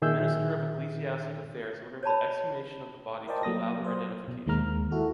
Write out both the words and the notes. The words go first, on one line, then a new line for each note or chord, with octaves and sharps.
The Minister of Ecclesiastic Affairs ordered the exhumation of the body to allow their identification.
A#2 D#3 G#4 E5 E6 G6
C#5 D5 A5 B5
A#4 C5 D5 D#5 G5 A5
F#3 A#3 D#6 A#6
C5 D#6
B2
D#2 D#3 G#3 A#3 A#5 F6
E4 F#4 A4